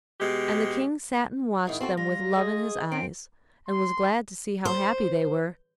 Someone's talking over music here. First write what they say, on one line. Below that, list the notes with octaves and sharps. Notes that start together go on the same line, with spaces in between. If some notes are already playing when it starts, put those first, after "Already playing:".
And the King sat and watched them with love in his eyes, and was glad to see how happy they were.
B2 G#3 G4
G#2 D#3 E4
C4 F#4 A4
G3 F4 A#6
G#4 D#5
C4 C#4 D7
C6
C5